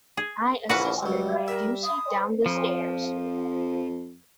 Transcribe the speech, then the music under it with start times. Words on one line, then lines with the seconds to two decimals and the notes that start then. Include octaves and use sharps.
I assisted Gussie down the stairs.
0.17 G#4
0.69 A#1 C#3 E3 C#4 F#4 B4 F#5
1.03 C#2 F#3 G3
1.48 A#4 E5
1.84 D#6
2.46 F2 F3